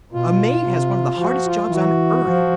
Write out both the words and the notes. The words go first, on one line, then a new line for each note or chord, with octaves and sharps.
A maid has one of the hardest jobs on earth.
B2 F4
C3
F3 F#4
F4
E3 F#4
F3